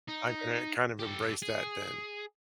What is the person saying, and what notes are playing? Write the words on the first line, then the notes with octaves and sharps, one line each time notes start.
I'm gonna kind of embrace that then.
D#4
G4 A4
G#4